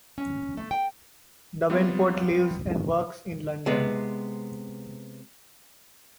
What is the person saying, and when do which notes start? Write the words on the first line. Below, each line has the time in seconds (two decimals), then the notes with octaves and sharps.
Davenport lives and works in London.
0.18 C#4
0.57 A3
0.71 G5
1.70 G3 B3 C4 F4
3.66 C3 G#3 B3